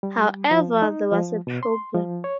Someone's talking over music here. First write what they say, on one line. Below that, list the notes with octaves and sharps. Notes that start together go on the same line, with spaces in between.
However, there was a problem.
G3
F3
D#4
F3
B2
C6
F3
C#5